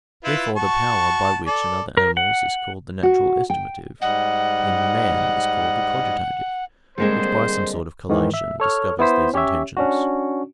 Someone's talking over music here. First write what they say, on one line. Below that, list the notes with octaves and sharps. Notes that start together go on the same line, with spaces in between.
Therefore the power by which in other animals is called the natural estimative, in man is called the "cogitative," which by some sort of collation discovers these intentions.
E4 F4 B4
F#4 A5 C#6
A4 D5
A#4
F#5
F#4
G5
G#2 G3 D#5 F#5
D3 G3 G#3 A#3 C4 G#4 C5
G#2 D#3 E3
E5
A4 C#5 F6
B3 E4 C5 B6
C#4 G4 C#5 E5
C#4 D4 F#4